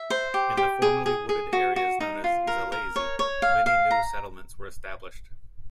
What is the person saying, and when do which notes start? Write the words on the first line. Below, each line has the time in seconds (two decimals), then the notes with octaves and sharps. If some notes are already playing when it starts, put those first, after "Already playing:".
In the formerly wooded areas, known as Zalesye, many new settlements were established.
Already playing: E5
0.10 C5
0.34 G4
0.57 G4
0.82 G#4
1.06 G#4
1.29 G#4
1.53 F#4
1.76 F#4
2.00 D#4
2.24 F4
2.47 A#4
2.72 A#4
2.96 C#5
3.19 C#5
3.42 F5
3.66 F5
3.91 A#5